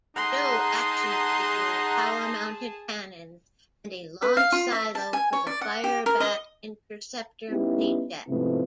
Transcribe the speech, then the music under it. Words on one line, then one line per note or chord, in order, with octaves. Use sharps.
Joe action figure, tower-mounted cannons, and a launch silo for the Firebat interceptor mini-jet.
D#4 G#4 F#5 A5 A#5 C6
B4
F5
F4
E5
A5
G#5
C#5
D5
F#5
G4
A#4
D#5
G3 B3 C#4 D#4 E4 G4
G#2 C3 F3 A3 B3 E4